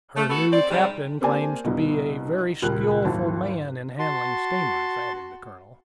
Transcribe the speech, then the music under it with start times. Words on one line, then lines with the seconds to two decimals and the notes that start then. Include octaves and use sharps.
"Her new captain claims to be a very skilful man in handling steamers," added the colonel.
0.16 A3
0.30 B3 F#4 A4
0.51 C4 D5
0.71 G#2 C3 G3
1.21 A#3 C4 G4 D5 G#5 A5
1.64 C2 G2 B2
2.62 D#1 C#2 G3 A#4 F#6
3.04 G#1 D#2 F#3 E4 A5
3.99 F#4 A5 C6